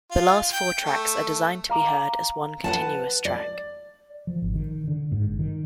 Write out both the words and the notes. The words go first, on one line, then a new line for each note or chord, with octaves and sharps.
The last four tracks are designed to be heard as one continuous track.
F4
G5
A3
F5 A#5 D6
B4 F#5 A5
D5
F3
G#1
D#3
D3
G#2
G1
D#3